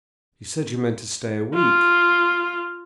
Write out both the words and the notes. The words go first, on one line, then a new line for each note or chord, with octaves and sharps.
You said you meant to stay a week.
F4